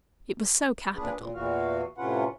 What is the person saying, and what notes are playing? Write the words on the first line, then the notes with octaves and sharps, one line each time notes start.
It was so capital!
A#2 D4 G#4 B4
A#2
E2 A#2 E3 F#4 F5
A2 C3 C#4 F4 B4 F#5